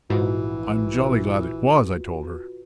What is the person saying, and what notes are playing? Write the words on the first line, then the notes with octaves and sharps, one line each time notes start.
"I'm jolly glad it was!" I told her.
A#1 G#2 E3 F4 F#4 B4